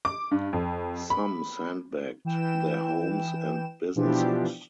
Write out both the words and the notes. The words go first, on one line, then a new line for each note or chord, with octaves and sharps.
Some sandbagged their homes and businesses.
D6
G2
F2
B5
E3 G5 E7
B2 E3 F3 D4 F4 G4